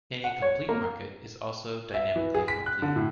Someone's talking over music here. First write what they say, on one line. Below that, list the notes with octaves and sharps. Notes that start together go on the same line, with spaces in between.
Any complete market is also dynamically complete.
F#5
C#5
A#3
E5
E3
G#4
B6
F#6
D3
A2